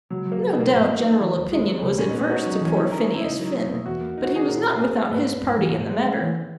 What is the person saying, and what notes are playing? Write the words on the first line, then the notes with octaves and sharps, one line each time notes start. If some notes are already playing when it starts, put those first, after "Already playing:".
No doubt general opinion was adverse to poor Phineas Finn, but he was not without his party in the matter.
C#2 F#3
F#3 A#3
C#2
B3
B2 A#3
B3
G#2
A#3
D#4
E3
D#2
G#3
D#2
C#3
A#2 C#4
D#4
B3
C#4
D#4 F#4
F#3 C#4
D#4
E3 C#4
D#4 E4
C#4 A#4
A#3
E4
C#2 D#4
F#3
B3
B2
E2 F#4
A#3
D#4
F#4
D#3 G#4
A#2 A#4
C#4
G#4
A#3
G#2 B4
B3
G#2
E3
G#2
G#3
C#4
E3